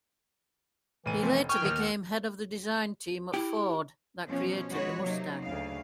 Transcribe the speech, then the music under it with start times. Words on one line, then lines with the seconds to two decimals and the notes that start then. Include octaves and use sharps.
He later became head of the design team at Ford that created the Mustang.
1.06 F1 A2 E3 D#7
1.22 F3 A3 C4
1.49 E3 G5 G#5 C#6 F6
1.62 D#2 D#3
1.80 F#5 E6 C#7
3.34 E4 G4
4.27 B2 F3 C#4
4.71 E3 G#3 F#4 B4 C#5
5.04 C3 F#3 A#3 D#4
5.44 D2 C#3 F5